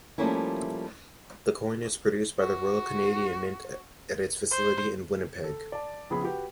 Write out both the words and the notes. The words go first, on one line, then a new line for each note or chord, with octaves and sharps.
The coin is produced by the Royal Canadian Mint at its facility in Winnipeg.
F3 G3 A3 A#3 C#4 E4
F#4
C5
A4
D5 A5
A#1 C#3 B3 G#4 G#5 B5
F#4 G4 B4